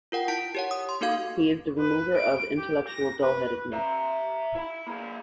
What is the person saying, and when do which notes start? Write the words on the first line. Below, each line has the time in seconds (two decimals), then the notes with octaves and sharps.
He is the remover of intellectual dull-headedness.
0.12 F4 A#4 F#5 G5
0.28 E4 A5 G6 B6 D7
0.55 G4 C#5 F#5
0.71 D#6
0.89 C6
1.01 A#3 D#4 F#4 A4 F5 G#6
1.78 B4
2.17 D7
2.58 G4
2.88 A#6
3.21 B4
3.73 E5 A#5
4.55 E4 B5
4.87 A#3 G#4